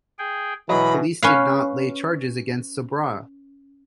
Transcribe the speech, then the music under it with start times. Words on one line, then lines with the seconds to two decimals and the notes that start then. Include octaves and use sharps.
Police did not lay charges against Sorbara.
0.18 G#4 G5
0.69 B2 E3 F#3 D#5 B5
1.23 C#4 B4 F5